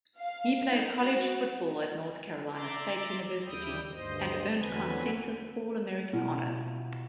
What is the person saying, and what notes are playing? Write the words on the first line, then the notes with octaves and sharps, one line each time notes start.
He played college football at North Carolina State University, and earned consensus All-American honors.
F5
D#4
F#4
D5 E5 A#5 C6 D6
D#2 G3 E4 G5 D#6
D2 G2 C5 D#5
E2 D3 F#3 C4 B4 G#5
B2 E4 F4